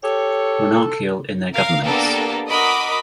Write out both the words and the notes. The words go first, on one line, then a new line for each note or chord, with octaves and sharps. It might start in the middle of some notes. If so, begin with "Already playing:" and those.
Monarchial in their governments.
G4 A4 C#5
A#4 F5
A#3 B3 D4 G4 A4 A#4
F#4 A#4 D#5 B5 D6 D#6